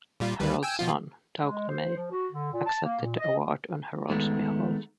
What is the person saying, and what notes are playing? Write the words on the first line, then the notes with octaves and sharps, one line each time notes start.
Harold's son, Doug LeMay, accepted the award on Harold's behalf.
A#2 G3 F4
D2 G3 B4
G5 G#5 E6
B2 F3 F4
G#3
C5
F3
F#4
D3
A#2
A5
A#3
A#2
D#5
D#3 G#3 A3 B3